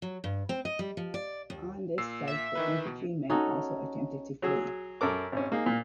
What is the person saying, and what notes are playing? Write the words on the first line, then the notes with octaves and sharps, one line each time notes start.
On this sight, the infantrymen also attempted to flee.
F#3
G2
C4
D#5
G3
F3
D5
D#2
A#2 E6 C7
E5
D#3 E3 B4
B2
C#4 D#4 F#4 A4
F#3 F#4 G#4 E6
F#2 A4 A#4 D6
G#1 C#4
A#3 D#4 G#4
A#2 A#3